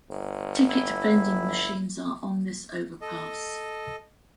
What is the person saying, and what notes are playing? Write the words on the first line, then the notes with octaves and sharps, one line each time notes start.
Ticket vending machines are on this overpass.
G1
E4
A4 D#5